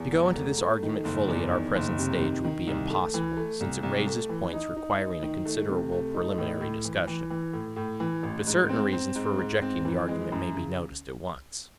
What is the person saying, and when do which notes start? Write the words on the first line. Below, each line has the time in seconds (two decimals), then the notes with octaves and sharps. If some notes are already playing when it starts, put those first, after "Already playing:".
To go into this argument fully at our present stage would be impossible, since it raises points requiring a considerable preliminary discussion; but certain reasons for rejecting the argument may be noticed at once.
Already playing: E2
0.12 E1
0.35 A3
0.58 A3
0.83 D#3
1.05 F#1
1.28 E2
1.51 D#3
1.75 F#1
1.98 C3
2.21 D#3
2.44 D#3
2.67 C2
2.90 A3
3.14 E3
3.37 A3
3.60 C2
3.83 C2
4.07 A3
4.29 E3
4.53 D#4
4.76 D#4
4.99 D#4
5.23 D#3
5.46 A3
5.69 C3
5.92 A3
6.14 D#4
6.38 A2
6.61 A2
6.85 E3
7.07 E3
7.30 E3
7.53 A2
7.76 A2
8.00 E3
8.23 A1
8.47 G#2
8.69 C4
8.92 C4
9.15 G#2
9.38 G#2
9.62 C4
9.85 E3
10.08 G#3
10.32 F#2
10.54 C#3